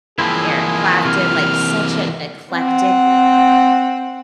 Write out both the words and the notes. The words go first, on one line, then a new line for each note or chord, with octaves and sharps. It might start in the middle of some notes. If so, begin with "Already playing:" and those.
Eric Clapton, like such an eclectic,
E3 F3 A#3 C4 E4 G#4
C3 F6
C4 F#5